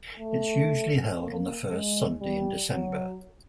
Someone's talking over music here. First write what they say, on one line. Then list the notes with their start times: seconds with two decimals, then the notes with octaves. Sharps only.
It is usually held on the first Sunday in December.
0.20 A3
1.21 A#3
1.71 G#3
2.21 G3
2.72 F#3